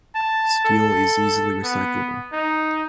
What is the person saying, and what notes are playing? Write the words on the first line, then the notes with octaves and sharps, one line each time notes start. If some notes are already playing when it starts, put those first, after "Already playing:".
Steel is easily recyclable.
A5
A4
B3
D#4